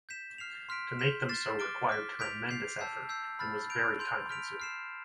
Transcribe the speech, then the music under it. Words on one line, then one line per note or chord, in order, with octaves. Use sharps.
To make them so required tremendous effort - and was very time consuming.
G6 B6 E7
F6 C7 F7
C6 F6 B6 D7
G6 B6 E7
F6 A6 C7 E7
D6 F6 A6 D7 G7
D6 F6 B6
G6 B6 D7 F7
G6 C7 F7
A5 E6 G6 C7
E6 G6 C7
B5 F6 A6
G6 D7 F7
C6 G6 D7 F7
F6 B6 D7 F7
F6 C7 E7